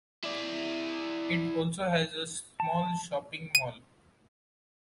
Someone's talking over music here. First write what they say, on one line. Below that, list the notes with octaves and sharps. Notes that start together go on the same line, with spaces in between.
It also has a small shopping mall.
E4 D5
A5
D#7